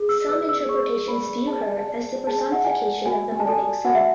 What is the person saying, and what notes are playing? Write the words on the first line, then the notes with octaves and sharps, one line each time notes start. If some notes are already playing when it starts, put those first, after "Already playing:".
Some interpretations view her as the personification of the morning sun.
Already playing: G#4
E6
B4 D5 E6
E6
G#4 C#6
B4 D5 B5
G#4 A5
G#5
A5
D5
G#4 A5
G#5
F#5
D5 G#5
F#4 G#5
G#5
A5
A4 D5 G#5
G#5
F#4 F#5
E5